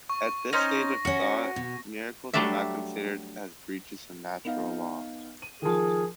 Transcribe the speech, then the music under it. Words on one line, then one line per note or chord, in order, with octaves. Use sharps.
At this stage of thought, miracles are not considered as breaches of natural law.
C#6
C#4 D#4 C5 A#6
C#4 F#4 A#4
B2
F#3 G3 A3 D4 E5
B3 D#4 F5
D#7
D#3 F3 G#4